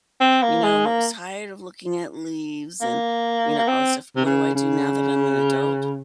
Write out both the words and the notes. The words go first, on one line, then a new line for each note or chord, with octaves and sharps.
you know, "Tired of looking at leaves," and, you know, all this stuff what do I do now that I'm an adult?
C4
A#3
G#3
A#3
A#3
A#3
C4
C3
C#3
C#3